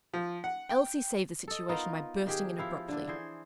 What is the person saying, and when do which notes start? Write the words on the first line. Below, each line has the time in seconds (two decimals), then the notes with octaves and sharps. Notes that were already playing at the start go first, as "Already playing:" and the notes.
Elsie saved the situation by bursting in abruptly.
0.13 F3
0.44 F#5
0.69 G5
1.48 A4 D#5
1.69 B3 D#4 F4 A#4
2.27 D#3 G4 G#4
2.58 F3 E4 F5
2.88 D3 D4
3.08 E3 G#4 C5